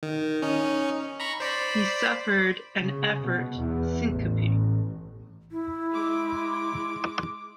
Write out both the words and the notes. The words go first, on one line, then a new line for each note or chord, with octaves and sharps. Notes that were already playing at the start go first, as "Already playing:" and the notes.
He suffered an effort syncope.
D#3
C#4 D#4
A#5 B5 C#6
C5 D5 B5
C#3
B2
E2
A1
E4
G#3 D6